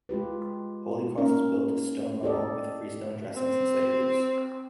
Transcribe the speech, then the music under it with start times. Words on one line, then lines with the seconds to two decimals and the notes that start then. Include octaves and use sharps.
Holy Cross is built of stone rubble with freestone dressings and slate roofs.
0.09 G#3 F4 G4 B4
1.18 A#3 C#4 D#4 A#4
2.23 G4 A4 D5 D#5
3.37 C4